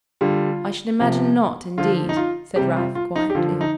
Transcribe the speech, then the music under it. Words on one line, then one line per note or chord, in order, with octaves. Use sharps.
'I should imagine not, indeed!' said Ralph, quietly.
D3 G3 F4
C3 F3
D3 F3 F4
D#4
F4
C3 G3 G4
F4
F4
D#4
G4
D3 F3 F4
D#4